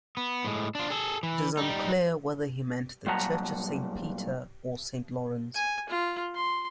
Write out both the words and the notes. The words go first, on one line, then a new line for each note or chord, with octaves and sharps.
It is unclear whether he meant the Church of Saint Peter or Saint Lorenz.
B3
A2 G#3
D4 F4
G#4 A4
E3
G3 D#4
G2 A#2 F#3 F#5 A5 A#5
G#5
F4
C6